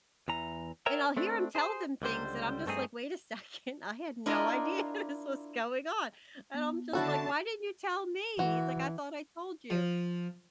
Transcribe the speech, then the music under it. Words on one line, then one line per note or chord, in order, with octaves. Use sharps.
and I'll hear him tell them things, and I'm just like, "Wait a second, I had no idea this was going on." and I'm just like, "Why didn't you tell me?" he's like, "I thought I told you."
E2 E3 A#5
A#4 C#5 E5 G5 A#5
A3 C4 D4
G#4 C5
C#2 D3 G3 C5
G2 A3 C4 D#4 G#4
D4 E4 F4 A#4 D#5
B3
D3 E4 F#4 A4 C#5 A5
E3 F#4
F3